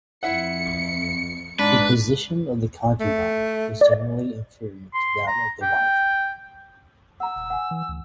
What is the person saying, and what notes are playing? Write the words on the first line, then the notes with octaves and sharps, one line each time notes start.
The position of the concubine was generally inferior to that of the wife.
F2 E4 E5 F#5 C#7
G#2 D4 B4
A3
D5
C6
A#5
G5
F#5 A#5 E6
D#1
F#5 G#5
E3
D2